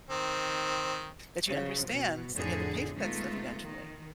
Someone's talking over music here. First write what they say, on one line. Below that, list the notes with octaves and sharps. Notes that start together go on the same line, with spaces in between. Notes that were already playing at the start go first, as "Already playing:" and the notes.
that she understands that you had to pay for that stuff eventually,
D#3 C4
C#3 F3 F#3
B2
F2 A2 D3 G#4
G#3 A3 B3 D#4 F4
D#3